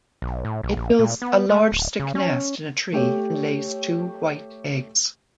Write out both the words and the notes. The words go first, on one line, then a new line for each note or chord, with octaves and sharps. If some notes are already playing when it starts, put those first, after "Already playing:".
It builds a large stick nest in a tree and lays two white eggs.
B1
A2
B1
A#1
A#2
B3
A3
D1
C#3
C#4
A3 G4 C#5 G5